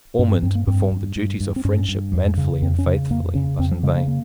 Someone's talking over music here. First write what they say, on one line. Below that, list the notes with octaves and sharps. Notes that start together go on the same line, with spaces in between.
Ormond performed the duties of friendship manfully and faithfully, but in vain.
G2 C#4
C4
G2 C4
A#3
G2 C4
G2
G2
G2
C4
G2 C#4
G2
F2
C#3
F2 C4
C#4
C#3
F2 A#3
C#3 C#4
F2 C4
F3
C#3 G#3
A#3
A#3